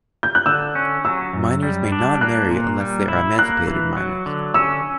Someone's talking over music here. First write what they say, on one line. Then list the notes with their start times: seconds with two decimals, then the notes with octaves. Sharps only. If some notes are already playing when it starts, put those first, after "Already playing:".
Minors may not marry unless they are emancipated minors.
0.23 G6
0.35 F#6
0.46 D3 E6
0.75 C#4
1.05 F#3 E6
1.33 F#2
1.63 G3
1.92 D4
2.21 A#3 F#6
2.51 A#2
2.80 G3
3.08 E4
3.38 A#3 F#6
3.67 E3
3.97 F#3
4.26 D3
4.54 C#4 E6